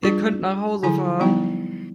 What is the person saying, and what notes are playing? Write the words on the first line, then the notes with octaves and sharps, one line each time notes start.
Ihr könnt nach Hause fahren!
G3 D4 F4 G#4
D3 F#3 E4 G#4 G#5 C6
F3 G3 B3 D#4 E4 G5